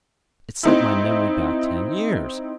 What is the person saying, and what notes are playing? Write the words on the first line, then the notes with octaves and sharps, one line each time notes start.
It sent my memory back ten years.
C4 D#4 E4